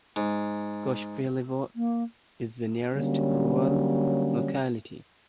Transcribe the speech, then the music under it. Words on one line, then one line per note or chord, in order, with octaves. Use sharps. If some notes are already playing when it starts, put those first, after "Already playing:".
Kushpelevo is the nearest rural locality.
G#2
A#3
D3 F#3 G3 A#3 C#4